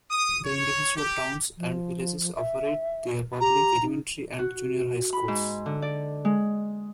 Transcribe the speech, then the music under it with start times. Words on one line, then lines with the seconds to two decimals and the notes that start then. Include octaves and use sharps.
The individual towns and villages operate their public elementary and junior high schools.
0.11 D#6
0.44 C#5
0.96 G4
1.58 F3
2.36 E5
3.40 G4 A#5
3.82 D#4
4.39 F#4
5.13 B5
5.28 G#2
5.66 D3
5.82 D5
6.25 G#3